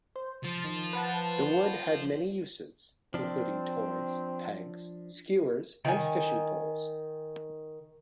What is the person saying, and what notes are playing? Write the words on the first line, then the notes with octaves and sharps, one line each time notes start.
The wood had many uses, including toys, pegs, skewers, and fishing poles.
C5
F3 A6
D#3
B4 F#5 A5
F3 C4 D4
D#3 G#5